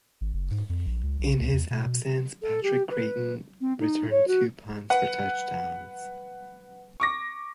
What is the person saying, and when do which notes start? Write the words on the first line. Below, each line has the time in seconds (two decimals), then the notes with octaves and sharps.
In his absence, Patrick Crayton returned two punts for touchdowns.
0.21 G#1
0.34 F#1
0.51 G#2
0.69 F2
0.86 A#1
1.03 C#2
1.19 B1
1.41 C#2
1.53 E2
1.70 B2
1.86 B2
2.41 A4
2.63 G4
2.90 B4
3.60 C4
3.79 D#4
4.10 C#5
4.27 F#4
4.90 B4 F#5
7.00 C#6 D6 A#6